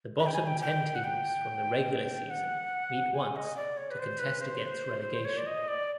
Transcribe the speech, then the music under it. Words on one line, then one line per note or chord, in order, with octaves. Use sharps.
The bottom ten teams from the regular season meet once to contest against relegation.
B5
G5
G#5
G5
G5
F#5
G5
F#5
G#5
D#5
D5
C#5
B4
C5
B4
C5
C#5
D5
D#5
D5